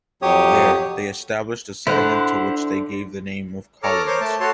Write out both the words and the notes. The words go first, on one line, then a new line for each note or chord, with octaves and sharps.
There, they established a settlement to which they gave the name of Collins.
F2 F#3 G4 C#5 D#6
D3 E4 C5 F#5
A4 C#5 A5 A#5 D6 F6
A#4 C5 C#5 C6 D6
A3 A5
F#4 A4 C#5 A5 C6